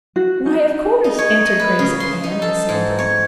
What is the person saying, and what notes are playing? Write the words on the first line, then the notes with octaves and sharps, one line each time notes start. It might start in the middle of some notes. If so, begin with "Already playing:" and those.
"Why, of course," answered Grace and Anne in the same breath.
F#4
D#4
D#4
C#5
D#5
B4
C#3
C6
D#4
A4
G#2
C#5